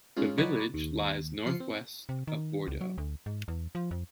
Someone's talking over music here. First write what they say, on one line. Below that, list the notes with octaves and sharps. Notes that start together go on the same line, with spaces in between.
The village lies northwest of Bordeaux.
G#3 C#4 D#4 F4
F#3 D#4 B4 C#5 D5
D#2
F3 F4 C7 C#7
C4
C3
D#3
C#2
F#3
D2
G#2
E2
F3
F2